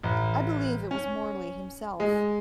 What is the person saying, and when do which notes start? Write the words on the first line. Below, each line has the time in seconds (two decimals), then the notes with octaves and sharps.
I believe it was Morley himself.
0.03 A1
0.91 C#4
2.00 G#3